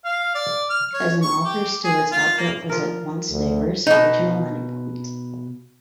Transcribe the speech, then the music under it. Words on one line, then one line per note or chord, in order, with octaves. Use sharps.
As an author, Stewart's output was at once diverse, original, and important.
F5
D5
F6
C#5
C#6
G4
G#4
F4
A#3
F3 A#4
D2
B2 D#4